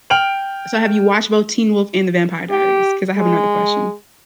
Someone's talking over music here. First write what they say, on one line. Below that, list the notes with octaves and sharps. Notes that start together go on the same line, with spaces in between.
So have you watched both Teen Wolf and The Vampire Diaries? 'Cause I have another question.
G5 F6 D7 F7 F#7
G4
G#3